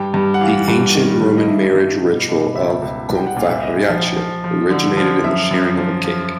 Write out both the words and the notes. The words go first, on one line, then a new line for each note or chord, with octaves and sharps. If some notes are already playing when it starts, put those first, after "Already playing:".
The Ancient Roman marriage ritual of "confarreatio" originated in the sharing of a cake.
Already playing: G2 G5
G2
F#5
E3 F5
G2
D#3
G2
D#5
G2 E5
G2
B2
B2
C#2 E5
C#2
C2
G5
F#5
A#2 F5
E5
A#2 D#5
F3
F3
F3
D3
F3
F#2 E5
F#2
F3
F3